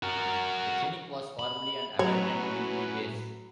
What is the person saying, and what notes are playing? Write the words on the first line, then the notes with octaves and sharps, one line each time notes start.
The clinic was formerly an abandoned military base.
F#4 A#4
B5
A2 F#3 C#4 F#4 B4 C#5 A#5